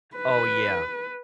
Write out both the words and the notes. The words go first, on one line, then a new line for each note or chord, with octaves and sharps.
Oh, yeah.
B4